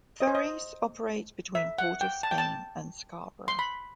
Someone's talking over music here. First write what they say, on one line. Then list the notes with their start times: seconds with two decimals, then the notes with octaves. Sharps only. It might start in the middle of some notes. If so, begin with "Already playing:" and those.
Ferries operate between Port of Spain and Scarborough.
0.20 D#5
0.27 C5
0.35 D#5
1.55 E5
1.78 F#5
2.01 G5
2.23 A5
2.31 G5
2.38 A5
3.48 C6
3.59 B5